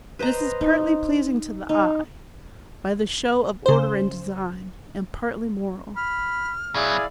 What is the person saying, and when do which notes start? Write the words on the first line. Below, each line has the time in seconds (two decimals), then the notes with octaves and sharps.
This is partly pleasing to the eye, by the show of order and design, and partly moral.
0.19 B4 C5 D#5 A#5
0.61 D#4
1.69 D#4
3.66 C#3 C5
5.96 B5 F6
6.75 B2 F#3 E4 G#4 D5 F5